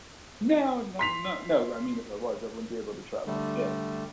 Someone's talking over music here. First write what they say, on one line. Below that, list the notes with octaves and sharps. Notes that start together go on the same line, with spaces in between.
No, no, no, no, I mean, if I was, I wouldn't be able to travel. Yeah.
C6 B6 F7
D3 G3 A3